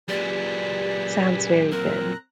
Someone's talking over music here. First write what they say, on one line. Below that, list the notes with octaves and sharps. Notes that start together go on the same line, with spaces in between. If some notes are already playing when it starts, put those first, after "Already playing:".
Sounds very good.
F#2 A#2 G4 G#4 B4 D5
C4 A#4 A#5 F#6